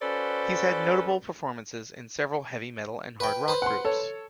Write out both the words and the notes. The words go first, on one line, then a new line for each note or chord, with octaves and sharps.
He's had notable performances in several heavy metal and hard rock groups.
C#4 F#4 A4 B4 C5 D5
B4 G5
B4 C5
F#5 C6
A4 C#5